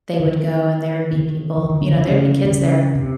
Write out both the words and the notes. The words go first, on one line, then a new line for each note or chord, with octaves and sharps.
they would go, and there'd be people you know, there'd be kids there,
D#3
D#3
E3
D#3
D3
C#3
C#3
D3
C#3
C3